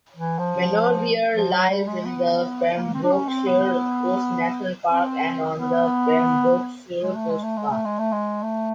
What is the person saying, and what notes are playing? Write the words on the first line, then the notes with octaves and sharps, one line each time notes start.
Manorbier lies in the Pembrokeshire Coast National Park and on the Pembrokeshire Coast Path.
E3
F3
F3
F#3
G3
G#3
B3
A#3
C4
D4
C#4
C4
B3
C4
B3
G#3
A3
G#3
A3
G#3
A3
G#3
A3
G#3
A3